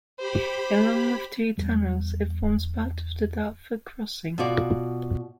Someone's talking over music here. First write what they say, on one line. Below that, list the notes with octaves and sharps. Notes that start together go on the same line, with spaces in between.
Along with two tunnels, it forms part of the Dartford Crossing.
G4 C5 B5
E2 G3
B2 F4 F#4 D5